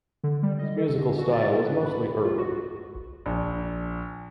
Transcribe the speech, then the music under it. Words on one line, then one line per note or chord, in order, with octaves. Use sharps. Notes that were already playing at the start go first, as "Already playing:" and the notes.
His musical style was mostly urban.
D3
G3
D#5
A4
D3
F#4
A6
A2
B4
B5
F4
F#4
A#1